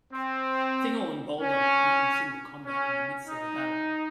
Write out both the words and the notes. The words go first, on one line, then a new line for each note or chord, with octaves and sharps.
Thingol and Boldog met in single combat in the midst of the battle.
C4
C#4
C#4
D#4